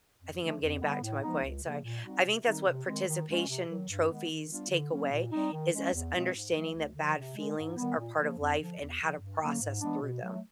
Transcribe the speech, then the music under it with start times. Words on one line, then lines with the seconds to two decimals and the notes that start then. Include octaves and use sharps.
I think I'm getting back to my point, sorry. I think that's what participation trophies take away, is us understanding that bad feelings are part of life and how to process through them.
0.21 F2
0.41 D3 F3 A3 D4
0.62 F2
0.82 D3 G3 B3
1.02 A2
1.23 F3 G#3 B3 D#4
1.43 C#2
1.63 C#3 F3 A#3
1.84 A#2
2.04 G3 C4 D#4 F#4
2.25 C3
2.45 D#3 G3 C4 D#4
2.66 C3
2.86 D#3 G#3 C4
3.06 D#3
3.27 G#3 C#4 F4
3.47 C3
3.68 D#3 F#3
3.89 G2
4.09 D#3 G#3 B3
4.29 D#3
4.50 G3 B3 D4 F4
4.70 D3
4.91 F#3 A#3 C#4
5.11 A#2
5.31 G3 C4 D#4
5.52 D#3
5.72 G#3 C#4
5.93 E2
6.13 B2 G#3 C4 F4
6.34 G#2
6.54 F3 A3
6.75 D2
6.95 D3 F3
7.16 C3
7.35 D#3 G#3
7.56 G#2
7.77 D#3 G3 B3
7.97 A#2
8.18 F3 A#3
8.38 F2
8.59 D3 F3
8.79 E2
9.00 C#3 F3
9.20 G2
9.40 D3 F#3 A#3 C#4
9.61 G#2
9.81 E3 G#3 B3 D4
10.02 B2
10.22 F#3 A3